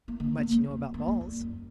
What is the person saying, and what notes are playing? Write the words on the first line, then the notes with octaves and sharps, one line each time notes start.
"Much you know about balls."
A#3
D3
A#3
G#3
D#2
A#3
G3
D#2
F#2